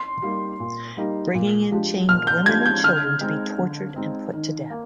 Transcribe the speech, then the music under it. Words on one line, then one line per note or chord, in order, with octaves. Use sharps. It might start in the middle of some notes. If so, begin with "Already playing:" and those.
Bringing in chained women and children to be tortured and put to death.
Already playing: C6
G3 A#3 D#4 G4
A#2
G3 A#3 D#4 G4
A#2
F3 G#3 D4 G4
A#2 F6
G6
F3 G#3 D4 G4 G#6
G6
D3 F6
G#3 C4 D#4
D3
G#3 C4 D#4
D#3
A#3